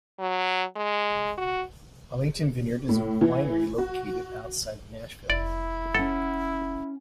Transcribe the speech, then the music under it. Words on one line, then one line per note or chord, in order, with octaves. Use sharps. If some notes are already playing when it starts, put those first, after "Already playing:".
Arrington Vineyard is a winery located outside of Nashville.
F#3
G#3
F#4
A2
E3
F#4
F1 E4 D5
C#4 A4 F#5